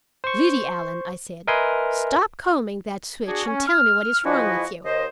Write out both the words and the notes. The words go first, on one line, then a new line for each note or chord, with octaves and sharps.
"Liddy Allen," I said, "stop combing that switch and tell me what is wrong with you."
C5 C#6
A#4 B4 D#5 E5 G#5 C6
D4 F#4 G#4
C#4
F6
F3 G#3 E4 F#4 B4 D#5
D#2 C5 D#5